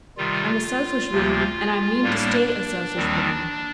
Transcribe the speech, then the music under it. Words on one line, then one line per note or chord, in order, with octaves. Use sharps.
I'm a selfish woman, and I mean to stay a selfish woman.
C3 D#3 G3 F4
D2 C3 F3 A#3
A2 G3 A#3 D4
D#2 D#3 G3 C4